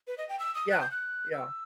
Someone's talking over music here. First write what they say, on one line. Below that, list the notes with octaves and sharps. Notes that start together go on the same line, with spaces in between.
Yeah, yeah.
B4
D#5
G5
E6
D#6
F#6
G6
F#6
E6